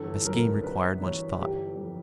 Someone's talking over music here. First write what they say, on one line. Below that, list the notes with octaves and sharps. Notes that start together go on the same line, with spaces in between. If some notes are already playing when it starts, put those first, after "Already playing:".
My scheme required much thought.
Already playing: G1 E3 A4
F#2 A#4
G2 B4
E3 C#5
G1 G4
F2